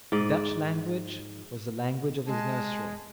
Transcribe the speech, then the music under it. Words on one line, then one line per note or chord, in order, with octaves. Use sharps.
The Dutch language was the language of his nursery.
G#2 D5 D#5
G#3 A5